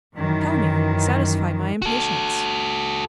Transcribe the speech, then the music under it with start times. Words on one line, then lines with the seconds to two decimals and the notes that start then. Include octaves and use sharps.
"Tell me; satisfy my impatience."
0.16 F#2 D#3 E3
1.82 F#4 A4